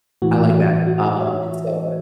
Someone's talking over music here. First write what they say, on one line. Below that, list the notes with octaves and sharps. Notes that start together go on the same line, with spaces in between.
I like that, um, and, so,
A2 E3 F#4
F#4
C#5 E5